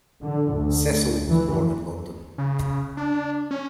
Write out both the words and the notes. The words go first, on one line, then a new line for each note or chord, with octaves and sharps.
Cecil was born in London.
D3
D2
E3
C#3
D4
C#4